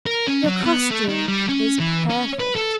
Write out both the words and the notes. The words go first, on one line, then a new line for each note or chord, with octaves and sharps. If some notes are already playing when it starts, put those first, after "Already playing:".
"Your costume is perfect."
A#4
C#4
F#3
B3
A3
D#3
G3
C#4
E3
C#4
B4
A4